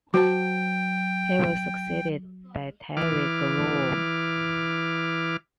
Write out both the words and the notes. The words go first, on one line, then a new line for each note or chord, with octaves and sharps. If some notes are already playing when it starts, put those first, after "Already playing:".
He was succeeded by Terry Groom.
F#3 F#4 C5 G5 A5
E3 D6 F6